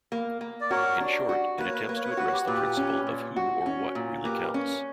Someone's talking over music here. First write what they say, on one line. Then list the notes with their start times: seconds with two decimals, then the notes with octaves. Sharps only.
In short, it attempts to address the principle of who or what really counts.
0.12 A#3
0.41 A#3
0.60 D5
0.70 F#4 A#4 C#5
1.00 D4
1.29 F#4
1.58 A#3 B4
1.66 C#5
1.74 B4
1.81 C#5
1.88 A#3 B4
1.96 C#5
2.03 B4
2.11 C#5
2.17 F#4 B4
2.25 C#5
2.33 G4 B4
2.47 A#2 G4 B4
2.77 C#4
3.07 A#2
3.36 F#4
3.66 C#4
3.95 A#2
4.24 A#3 G4 B4
4.54 C#4